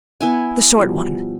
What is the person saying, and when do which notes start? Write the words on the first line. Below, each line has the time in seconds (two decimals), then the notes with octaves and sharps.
"The short one."
0.21 B3 E4 G#5
0.78 B2 F3 G3